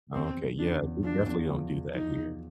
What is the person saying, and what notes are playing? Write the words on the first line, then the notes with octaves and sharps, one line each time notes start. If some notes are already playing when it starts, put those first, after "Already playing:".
Oh, okay. Yeah. We definitely don't do that here.
E2 C4
E2
C#3 D4
E2
F3 D4
E2
F3
F3
F3 D#4
E2